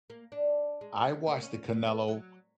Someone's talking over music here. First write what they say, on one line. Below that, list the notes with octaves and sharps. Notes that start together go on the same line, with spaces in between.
I watched the Canelo
A#3
D4
G#3
A#3
C#4
F#2
B3
F#3